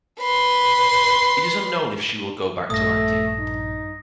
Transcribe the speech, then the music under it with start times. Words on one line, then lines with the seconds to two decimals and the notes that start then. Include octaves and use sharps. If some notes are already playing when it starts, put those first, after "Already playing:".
It is unknown if she will go back to acting.
0.19 B4 C6
2.70 A#1 G2 A3 D#6 A#6
3.39 D#4